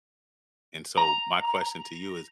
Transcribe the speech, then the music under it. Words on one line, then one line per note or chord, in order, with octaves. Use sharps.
And so, my question to you is,
A#5